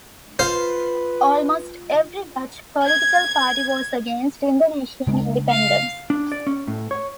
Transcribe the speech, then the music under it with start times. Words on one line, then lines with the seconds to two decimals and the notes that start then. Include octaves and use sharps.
Almost every Dutch political party was against Indonesian independence.
0.39 F4 B4 C5 F5
2.84 G#6
5.07 C#3 G#3 D4
5.49 F5
6.10 D4
6.32 D5
6.47 C#4
6.68 A2
6.91 C#5